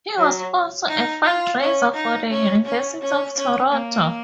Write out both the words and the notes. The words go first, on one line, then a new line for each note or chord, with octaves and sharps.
He was also a fundraiser for the University of Toronto.
F#3
D#4
F4
C#4
D#4
C#4
C#4
C#4
C#4
A#3